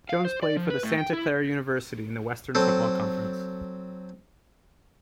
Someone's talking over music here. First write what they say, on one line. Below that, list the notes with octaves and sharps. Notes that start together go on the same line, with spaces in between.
Jones played for Santa Clara University in the Western Football Conference.
F5
C5
D5
F3
B4
A2
G5
E4
F#3 C4 A4